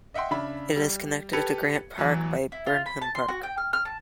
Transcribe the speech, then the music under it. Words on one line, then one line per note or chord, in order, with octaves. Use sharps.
It is connected to Grant Park by Burnham Park.
D#5 E5 F#5 G5 C6
C#3 D4 E5 B5
G3
G4 A4 B4 G#6 C#7 F7
A1 E2 E3 F#3
E4
F4
B5
A5
C6
F#4
G5
F6
F6
A5